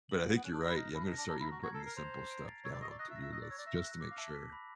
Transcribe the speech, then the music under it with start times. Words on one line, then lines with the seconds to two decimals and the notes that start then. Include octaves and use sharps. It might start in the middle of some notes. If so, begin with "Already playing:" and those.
But I think you're right, yeah, I'm gonna start even putting the simple stuff down on to-do lists just to make sure.
0.09 F#7
0.26 A#3 D7
0.36 B3
0.44 C#4 F#6
0.53 D4
0.61 D#4 A#6
0.68 E4
0.75 D#4 F6
0.95 E4 A5
1.06 D#4
1.12 A#6
1.17 D4
1.28 D4 A#5
1.40 E4
1.47 F#4 A#5
1.62 F#4 G#6
1.74 A4
1.80 C7
1.86 A#4
1.96 C5 F7
2.14 C7
2.31 D7
2.48 A6
2.64 C#5 E6
2.73 D5
2.81 D#5 C#6
2.90 D5
2.99 D#5 F#6
3.10 E5
3.16 A#6
3.22 E5
3.32 D#5 E6
3.42 D5
3.50 C#5 E6
3.58 D5
3.67 E5 A#6
3.84 F#6
4.01 D6
4.11 F5
4.17 E5 A5
4.35 B6
4.52 B5